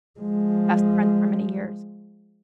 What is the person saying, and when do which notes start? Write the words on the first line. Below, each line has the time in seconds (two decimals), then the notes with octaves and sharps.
best friends for many years.
0.20 F3 G#3